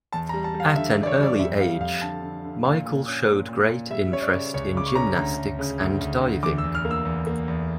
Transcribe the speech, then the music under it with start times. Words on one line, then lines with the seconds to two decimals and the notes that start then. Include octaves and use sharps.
At an early age, Michael showed great interest in gymnastics and diving.
0.13 E2 A5
0.29 A#5
0.34 G3
0.44 A5
0.54 G3
0.60 F5
0.76 D3 E5
0.97 D3
1.03 D5
1.07 C#5
1.18 G3 D5
1.39 F2 E5
1.60 G3 F5
1.80 F2 F5
2.02 D3 A5
2.23 D3
2.44 D3
2.64 A#2 F5
2.86 A#2
3.07 C#4
3.28 A#2
3.48 A#2
3.69 A#2
3.91 G3 E5
4.12 C#4 C#5
4.22 D5
4.33 C#3
4.54 C#2 C#5
4.75 C#3 D6
4.86 C#6
4.95 C#4 A#5
5.17 D2 A#5
5.38 D2
5.59 C#3
5.80 D2
6.01 D2
6.22 D2
6.43 E2 D6
6.58 E6
6.64 E2
6.75 F6
6.85 A#3
6.91 E6
7.05 E2
7.27 A#3
7.48 E2